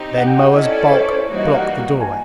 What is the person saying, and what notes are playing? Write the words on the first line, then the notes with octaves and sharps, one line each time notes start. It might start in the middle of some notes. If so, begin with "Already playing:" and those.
Then Moa's bulk blocked the doorway.
Already playing: C4 D#4 G4
F#5
G5
F#5
C#4 E4 A4 D5 D#5
C#5
C5
C#5
C5
C#5
E3 G3 A#3 D#4 F#4
D#5
F5
F#5
G#5